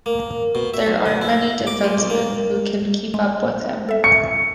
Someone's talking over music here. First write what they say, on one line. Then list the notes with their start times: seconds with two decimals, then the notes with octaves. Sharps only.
There aren't many defensemen who can keep up with him.
0.06 A#3
0.55 B2
0.74 E5
0.86 B1
1.06 D3
1.21 E4
1.67 D6
1.84 G#3
1.98 B1
2.10 A#3
3.14 G#3
3.89 A4 E5
4.04 C#6 C#7